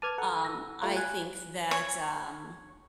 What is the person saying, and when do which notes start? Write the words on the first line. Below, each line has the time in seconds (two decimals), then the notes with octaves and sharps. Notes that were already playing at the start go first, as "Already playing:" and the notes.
Um, I think that, um
0.02 B4 A5 D6 F6 G#6 D#7
0.18 A4 F#5 A#5
0.44 E6 A#6
0.82 G3 A3 F4
0.96 G#5 F#6
1.71 C#5